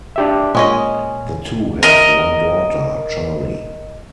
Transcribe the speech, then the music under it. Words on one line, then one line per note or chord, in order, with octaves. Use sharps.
The two have one daughter, Charli.
D4 G4 E5
A#2 G#3 C#4 D#5
A#4 D#5